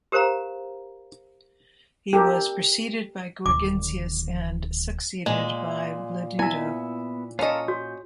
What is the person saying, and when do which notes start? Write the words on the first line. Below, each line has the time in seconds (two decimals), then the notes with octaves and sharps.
He was preceded by Gurgintius and succeeded by Bledudo.
0.12 G4 A#4 C5 F5 A#5
2.13 G4 A4 A#4
3.46 D1 D#3 D6
5.26 A#2 G#3
6.39 B3 E4 E5 G#5
7.39 C#4 F4 A4 A#4 D#5
7.68 F#4 G6